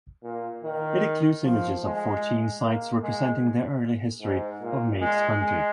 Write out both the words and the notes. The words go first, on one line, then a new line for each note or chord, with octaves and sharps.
It includes images of fourteen sites representing the early history of Meigs County.
A#2
D#3
F3
G#3
A#3
G#3
G#2
A#2
G#3
G#3